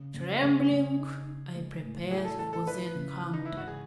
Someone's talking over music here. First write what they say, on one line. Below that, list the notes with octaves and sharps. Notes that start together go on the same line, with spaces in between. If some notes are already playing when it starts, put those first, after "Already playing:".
Trembling, I prepared for the encounter.
Already playing: C#3
C#3
C#3 G#4
C#3
D#4
D#4
G#3
A2
E4 G#4
A4
E3 A4
A4
E4 B4
C#3
E3
D#4
E4
G#2
F#4
G#4